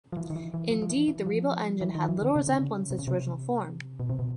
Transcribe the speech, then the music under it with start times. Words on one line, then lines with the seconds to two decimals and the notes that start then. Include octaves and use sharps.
Indeed, the rebuilt engine had little resemblance to its original form.
0.12 F3
0.17 E3
0.30 D#3
0.36 E3
0.54 E3
0.71 F3
0.82 F3
0.90 E3
1.08 E3
1.26 F3
1.81 E3
1.95 D#3
2.08 E3
2.22 D3
2.36 C#3
2.47 D3
2.59 C#3
2.91 C3
2.99 C#3
3.07 C3
4.00 B2
4.10 C3
4.19 B2